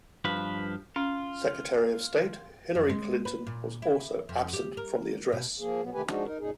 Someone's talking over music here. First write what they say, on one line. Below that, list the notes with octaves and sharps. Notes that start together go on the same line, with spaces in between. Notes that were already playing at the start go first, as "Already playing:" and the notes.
Secretary of State Hillary Clinton was also absent from the address.
G2 F3 B4
C#4 F4
F#2
G#3
B4
A#2
E4
F2
G4
A#4
B2
F3 A#3 G#4
B2 F#3 B3
C3 D#3 A3 G4 B4 G#5
F3 G#3 D4 D#4 F#4
D#4 A#4
F#2 A#2 D#4 G#4